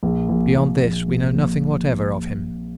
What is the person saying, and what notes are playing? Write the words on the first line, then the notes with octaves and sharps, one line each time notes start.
Beyond this we know nothing whatever of him.
A#1
A#1
A#1
A#1
A#1
A#1